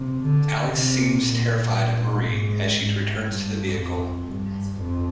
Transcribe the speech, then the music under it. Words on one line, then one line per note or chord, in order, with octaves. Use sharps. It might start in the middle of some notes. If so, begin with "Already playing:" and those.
Alex seems terrified of Marie as she returns to the vehicle.
Already playing: C3
D3
C3
A#2
G#2
G#2
G2
F2
G2
F2